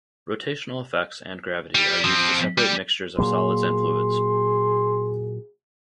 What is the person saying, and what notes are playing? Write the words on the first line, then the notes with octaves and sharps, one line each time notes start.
Rotational effects and gravity are used to separate mixtures of solids and fluids.
G3
F3 C4
G3
A#2 F#3 A#3 G#4 C6